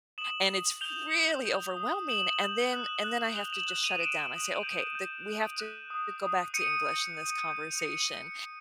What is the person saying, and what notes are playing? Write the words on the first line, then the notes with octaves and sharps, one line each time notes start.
and it's really overwhelming, and then and then I have to, just, shut it down. I say, "Okay, the we have to go back to English in this conversation,"
D#6 E7 F#7
D#6
G6 F7 G7
G6
G6
D#6
G6 E7 F#7
G6
F#6
F#6
F#6 F7 G7
F7
E7 F#7
F#6
D#7 F7
D#6 D7 E7
D#6
G6
G6
F#6
F#6
D#6
D#6
G6 C#7 D#7
G6
G6
G6
D#6 C#7 D#7
G6